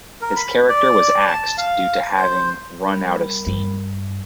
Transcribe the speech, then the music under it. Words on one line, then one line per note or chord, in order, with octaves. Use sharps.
His character was axed due to having 'run out of steam'.
A#4
B5
D5
A5
F5
C5
G3 A#4 B5
G2